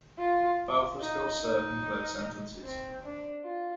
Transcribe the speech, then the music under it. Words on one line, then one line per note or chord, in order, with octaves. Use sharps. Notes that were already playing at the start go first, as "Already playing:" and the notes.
Both are still serving their sentences.
F4
D#4
D#4
C4
D4
F4